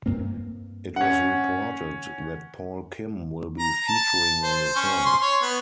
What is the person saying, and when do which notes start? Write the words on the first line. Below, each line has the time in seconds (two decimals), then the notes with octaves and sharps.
It was reported that Paul Kim will be featuring on the song.
0.06 G2 A#3 C4
0.96 C#4 F#5
3.59 A#5
3.88 A5
4.43 C5
4.76 C#4
5.05 C6
5.23 C#5
5.42 B3